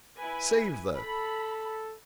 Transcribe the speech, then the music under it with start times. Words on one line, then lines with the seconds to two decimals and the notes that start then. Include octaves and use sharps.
"Save the--!"
0.16 E4 B4 G#5
0.95 A4 B5